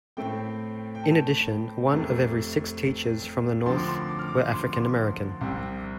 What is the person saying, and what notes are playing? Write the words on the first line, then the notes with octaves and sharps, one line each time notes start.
In addition, one of every six teachers from the North were African American.
A2 A3 C4 G5
G5
A5
F2 C3 A3
D2 D3 F3 C4 C6
D6
C6
D6
F6
D6
C6
D6
C6
C2 C3 G3 C4